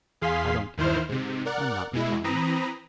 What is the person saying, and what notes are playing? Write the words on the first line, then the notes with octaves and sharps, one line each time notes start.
I don't care; I'm not refined.
E2 G#4 F5 C6 B6
D#2 D#3 E3 E4 C5 F6
G#2 C3
A#4 D5 F#5 F#6
B2 G#3 E4
E3 C4 A#5 B5 D#6